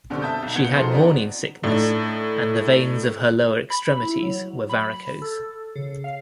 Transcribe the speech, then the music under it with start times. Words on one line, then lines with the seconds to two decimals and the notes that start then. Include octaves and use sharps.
She had morning sickness, and the veins of her lower extremities were varicose.
0.10 F#2 B2 D3 G3 C4
0.22 E5 A5 D#6 G6
0.42 B1
0.55 B3 F#4 G#6 C#7 G7
0.75 F3 D#4 F#4 G#4 A4 C5
0.92 B3 C4 D4 D#4 F#5
1.63 A2 D4 D#4
3.70 B5
4.03 E4
4.23 F#3
4.69 B5
5.22 A4
5.76 C#3
6.04 F5